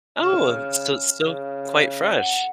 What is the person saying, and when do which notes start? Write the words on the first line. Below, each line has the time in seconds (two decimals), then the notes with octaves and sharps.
Oh, so still quite fresh.
0.22 C#3 F6 E7
1.27 C#3
2.18 F#5